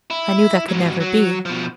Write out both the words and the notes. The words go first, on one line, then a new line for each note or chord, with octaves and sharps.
I knew that could never be.
E4
G#2 F#3
F#3
B2 F3